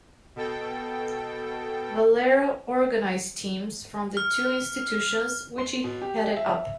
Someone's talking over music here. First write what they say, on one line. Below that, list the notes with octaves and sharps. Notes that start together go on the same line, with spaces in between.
Valero organized teams from the two institutions, which he headed up.
B2 A4 G5
F6
C6
B2
G4
E5